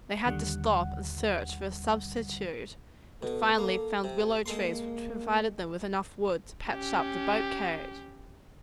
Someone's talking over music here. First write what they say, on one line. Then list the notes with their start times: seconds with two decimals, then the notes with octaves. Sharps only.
They had to stop and search for a substitute, and finally found willow trees, which provided them with enough wood to patch up the boat-carriage.
0.25 D#2 D3 G3 F#5
3.23 B2 A4
3.58 A#3
4.04 C3
4.46 G#3 A#3 A4 C6
6.69 C#4 G4